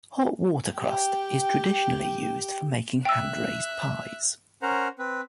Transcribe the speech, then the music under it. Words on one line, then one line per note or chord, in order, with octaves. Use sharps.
Hot water crust is traditionally used for making hand-raised pies.
G4 G5
E5 G5 E6 F#6
C#4 A#4 C5 F#5 A#5
C4 B4